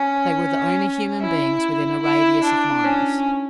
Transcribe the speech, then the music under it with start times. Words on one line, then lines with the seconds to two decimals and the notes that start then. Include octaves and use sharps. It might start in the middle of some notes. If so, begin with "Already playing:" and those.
They were the only human beings within a radius of miles.
Already playing: C#4
1.20 E4
2.02 E4
2.43 D4
2.84 C#4